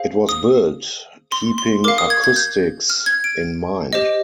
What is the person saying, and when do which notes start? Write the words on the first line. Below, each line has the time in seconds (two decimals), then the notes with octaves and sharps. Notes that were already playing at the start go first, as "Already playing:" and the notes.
It was built keeping acoustics in mind.
Already playing: G#4 C5 F5
0.29 D#6
1.32 C6
1.58 C6
1.84 A#4 F5 D6
1.98 D#6
2.10 G#6
2.24 G#6
2.36 G6
2.90 F6
3.06 G#6
3.24 D7
3.93 G4 C5 D#5